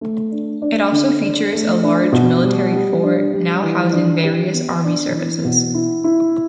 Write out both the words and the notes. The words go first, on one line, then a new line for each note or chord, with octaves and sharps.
It also features a large military fort, now housing various army services.
A3
D4
D4
D3
D4
A3
D4
B2
G3
G3
D4
G3
E3
D4
G4
B3
D4
E3
B2
E4
E4